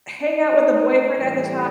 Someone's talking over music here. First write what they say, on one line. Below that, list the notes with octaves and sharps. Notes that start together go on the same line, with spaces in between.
hang out with the boyfriend at the ti
D#4 D#5
A2 E3 G3